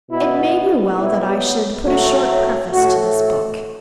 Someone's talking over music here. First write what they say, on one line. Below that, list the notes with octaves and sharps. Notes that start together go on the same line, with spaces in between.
It may be well that I should put a short preface to this book.
B2 B3 E4
B2 F#3 B3 E4
A2 F#3 A3 F#4
A2 A3 F#4
A4